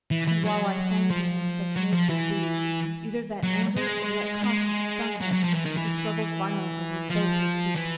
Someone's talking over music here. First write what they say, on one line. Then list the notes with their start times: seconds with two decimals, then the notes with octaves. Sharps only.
And while I sang to him such notes as these, Either that anger or that conscience stung him, He struggled violently with both his feet.
0.11 E3
0.27 E3
0.44 F#3
1.10 F3
1.76 F#3
1.93 F3
2.10 E3
3.43 F#3
3.77 G#3
4.43 G#3
5.21 F#3
5.32 F#3
5.43 F3
5.54 E3
5.65 D#3
5.77 E3
7.10 F3
7.76 E3